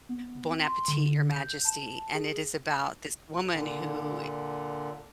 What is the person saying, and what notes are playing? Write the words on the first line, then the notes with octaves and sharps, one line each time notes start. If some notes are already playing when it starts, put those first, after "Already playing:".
Bon Appetit, Your Majesty, and it is about this woman who
B3
C4
C6
D3
G6
A5
G#4
A#2 D3